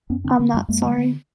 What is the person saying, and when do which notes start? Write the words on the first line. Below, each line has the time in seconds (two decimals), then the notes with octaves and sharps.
I’m not sorry.
0.10 F#2 B3 C#4
0.24 D3 C4 D4
0.39 D3 A#3 C4
0.54 F#2 G3 A3
0.68 F#2 G#3 A#3
0.84 D3
0.98 D3